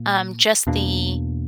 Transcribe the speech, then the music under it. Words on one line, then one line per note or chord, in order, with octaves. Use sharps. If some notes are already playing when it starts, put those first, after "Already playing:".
um, just the,
Already playing: A#2 A#3
E2 B2 A#3 D4